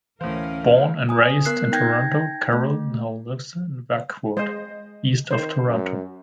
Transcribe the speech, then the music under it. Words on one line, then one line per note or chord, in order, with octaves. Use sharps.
Born and raised in Toronto, Carol now lives in Warkworth, east of Toronto.
D2 A2 E3 C#4 A#4 C5 F5
G#5 D#6
B3 A#4 F#6 C7
D#4 G5 G6 G#6 A#6
A3
G#3 C5 D#5
D#3 C5
F#2